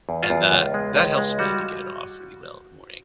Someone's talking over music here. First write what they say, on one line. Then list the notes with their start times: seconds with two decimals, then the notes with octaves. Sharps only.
and that, that helps me to get it off really well in the morning.
0.09 E2
0.23 F4
0.30 E2
0.52 C#2
0.74 G#3
0.96 C#2
1.17 G#3
1.39 G3 F#4